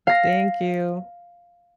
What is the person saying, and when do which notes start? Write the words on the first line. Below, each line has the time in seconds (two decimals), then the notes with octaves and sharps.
Thank you.
0.07 F5 A#6